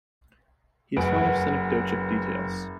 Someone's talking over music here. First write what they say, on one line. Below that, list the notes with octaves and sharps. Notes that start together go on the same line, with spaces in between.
He is fond of synecdochic details.
F#1 B4 F#5 G#5 D7